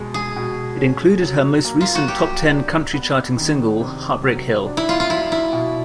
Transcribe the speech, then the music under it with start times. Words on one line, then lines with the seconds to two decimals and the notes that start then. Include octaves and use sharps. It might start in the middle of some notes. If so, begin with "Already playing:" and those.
It included her most recent top-ten country-charting single, "Heartbreak Hill".
Already playing: B2 G#3
0.14 G#4
0.36 B2
0.78 C#4
1.21 F#3
1.65 A#3
1.81 F4
1.95 F#4
2.08 F#3 G4
2.52 D4
2.94 B3
3.37 D#3
3.80 C3
4.23 F#3
4.67 D4
4.77 E4
4.89 F4
5.00 F4
5.10 F#3 E4
5.32 E4
5.53 B2